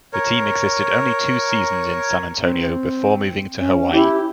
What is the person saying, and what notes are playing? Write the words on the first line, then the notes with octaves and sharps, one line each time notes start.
The team existed only two seasons in San Antonio before moving to Hawaii.
A#4 C#5
C4
C#4
E4 G4